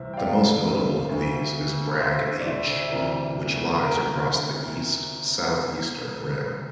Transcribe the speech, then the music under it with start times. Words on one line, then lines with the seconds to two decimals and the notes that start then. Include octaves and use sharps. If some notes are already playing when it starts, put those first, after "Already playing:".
The most notable of these is Bragg H, which lies across the east-southeastern rim.
Already playing: C2 C3 E3 C5 E5
0.13 G5
0.17 D5 F5
1.09 D2 D3
1.94 F5
2.00 C5 E5
2.41 D5
2.45 C5 E5
2.81 E5
2.91 D2 C3 E3 A#4 D5
3.84 A#4
4.13 A#4